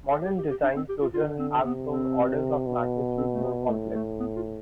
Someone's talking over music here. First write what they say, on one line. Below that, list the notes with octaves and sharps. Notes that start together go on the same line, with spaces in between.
Modern design closure has grown orders of magnitude more complex.
A4
G4
G4
G4
D4
C4
G4
F4
D3 F4
C4
C3 B3
C4
B2
C4
A3
B3
A2 A3
A3
B3
F4